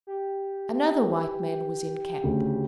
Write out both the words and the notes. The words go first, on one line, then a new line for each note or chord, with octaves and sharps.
Another white man was in camp.
G4
D2 C#3